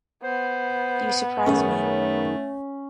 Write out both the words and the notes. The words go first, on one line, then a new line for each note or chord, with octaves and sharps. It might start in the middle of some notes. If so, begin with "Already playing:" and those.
You surprise me.
B3 C5
F#2 D#3 A3 C#4 G#4